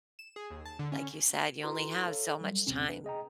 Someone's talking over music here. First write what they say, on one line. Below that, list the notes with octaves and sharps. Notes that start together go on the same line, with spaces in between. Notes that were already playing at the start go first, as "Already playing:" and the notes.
like you said, you only have so much time.
E7
G#4
D#2
A5
D3
C#4
E4 F#4 A4 B4 A#5 C6
A4 C#5 F5
F#3 G3
A1 D#2 C3 C4 C#4
D4 B4
G#4 D#5 G5 A#5